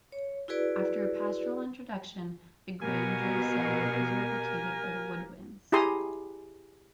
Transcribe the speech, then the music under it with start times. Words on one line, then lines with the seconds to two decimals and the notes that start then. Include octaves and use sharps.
After a pastoral introduction, the Grainger setting is replicated by the woodwinds.
0.12 C#5
0.48 E4 F#4 G#4 B4 D5
2.82 B2 A#3 G4 A#4 G#5
5.72 E4 G4 G#4 A#5 C6 D#6